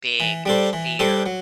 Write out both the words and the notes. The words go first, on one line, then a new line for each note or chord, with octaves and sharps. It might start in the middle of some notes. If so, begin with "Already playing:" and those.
big fear
E3
G3 D4 A4 C5
E3
G3 D4 A4 C5
F#3